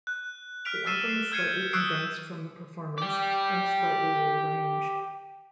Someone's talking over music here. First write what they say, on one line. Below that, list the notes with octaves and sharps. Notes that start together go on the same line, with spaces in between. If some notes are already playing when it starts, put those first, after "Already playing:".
The album is slightly condensed from the performance and slightly re-arranged.
F#6
F6 B6 D7 F7
E6 F6 A6 C7 D#7 E7
C7
F6 G6 G#6 C7 C#7 D#7
C#6 D#6 E6 F#6 C7 D7
G4 D5